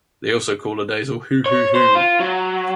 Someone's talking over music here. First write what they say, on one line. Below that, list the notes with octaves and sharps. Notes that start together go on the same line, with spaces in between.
They also call a nasal "hoo-hoo-hoon".
C#5
C5
F4
F#3